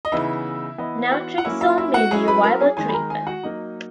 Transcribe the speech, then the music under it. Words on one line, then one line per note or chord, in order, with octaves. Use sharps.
Naltrexone may be a viable treatment.
D#5
C#3 E3 B3 D#4 E4 E5
E3 B3 E4 D#5
F#4 F#5
F#5
F#3 A#3 C#4 E4 E5
E4 E5
E4 E5
F#4 F#5
F#3 C#4 E4 G#4 G#5
B4 B5
A#4 A#5
G#4 G#5
D#3 G#3 D#4 G#4 G#5
B5
A#4 A#5
G#4 G#5
F#4 F#5
F#3 A#3 D#4 D#5